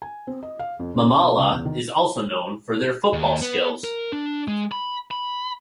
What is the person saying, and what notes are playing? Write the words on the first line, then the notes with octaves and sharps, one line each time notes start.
Mamala is also known for their football skills.
G#5
C4
D#5
F5
F2
C#3
B2
C#2
E2
D#3
D#2
B3
A#4
D4
G#3
B5
B5